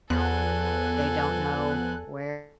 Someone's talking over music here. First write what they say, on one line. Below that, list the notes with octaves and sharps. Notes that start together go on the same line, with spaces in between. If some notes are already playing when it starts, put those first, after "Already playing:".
they don't know where,
E2 F3 B3 A4 G#5 F#6